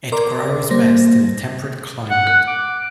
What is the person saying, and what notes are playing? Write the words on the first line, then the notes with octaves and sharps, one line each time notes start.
It grows best in a temperate climate.
A#4 D5 C6 D6
G3 A#3 C5 A#6
F#5
F#6
D6